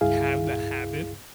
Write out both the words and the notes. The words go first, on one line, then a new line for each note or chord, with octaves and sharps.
have the habit
C#2 G2 E4 G#4 F5